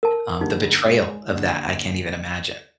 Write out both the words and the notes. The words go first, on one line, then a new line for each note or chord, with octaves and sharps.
um, the betrayal of that, I can't even imagine.
A#4 A5
F#1 D3 G3 D#4
G#3
D#2 D3